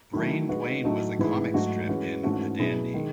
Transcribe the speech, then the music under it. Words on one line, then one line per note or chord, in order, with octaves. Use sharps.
Brain Duane was a comic strip in The Dandy.
D#3 F#3 A3 E4
G#3 D#4 F#4 B4
A2 F#3 A3 D#4 F#4
G#2 E3 A3 E4 G#4
G#2 F#3 A3 D#4 F#4
E3 G#3 C#4 F#4
G#2 E3 A3 C#4 F#4
B2 F#3 B3 E4 G#4
D#3 G#3